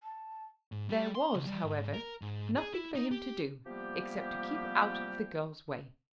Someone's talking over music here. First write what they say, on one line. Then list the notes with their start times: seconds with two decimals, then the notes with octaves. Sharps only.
There was, however, nothing for him to do except to keep out of the girl's way.
0.03 A5
0.72 G#2
0.90 G3
1.15 C6
1.35 C#2
1.47 G3
1.65 G#2
1.94 A#4
2.22 G#2
2.57 G#4
2.73 E4
2.95 D#4
3.11 G4
3.67 C3 F3 G3 A#3 B3 G4